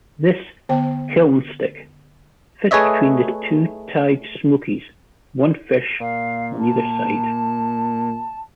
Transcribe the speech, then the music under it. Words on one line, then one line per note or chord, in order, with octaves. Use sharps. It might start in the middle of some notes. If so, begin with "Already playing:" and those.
This "kiln stick" fits between the two tied smokies, one fish on either side.
D3 B3 C5 G5
A3 G#4 B4 C#5 D#5 E5
A#2 F5
A5